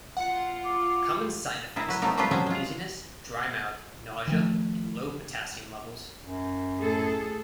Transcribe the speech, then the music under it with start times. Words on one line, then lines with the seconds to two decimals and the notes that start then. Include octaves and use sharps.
Common side effects include dizziness, dry mouth, nausea, and low potassium levels.
0.17 F4 F#5 C#7
0.65 D6
1.76 E4 G#4 A#4
1.88 F#3 B4
2.02 C3 F#3 A3 B3 D#4 A#4
2.17 G3 A3 C4 F4 G4 B4
2.31 F3 F#3 C4 C#4 G#4
2.46 G#3 F4
4.28 D#3 F3 A3
6.24 F#2
6.79 A2 G#4 A4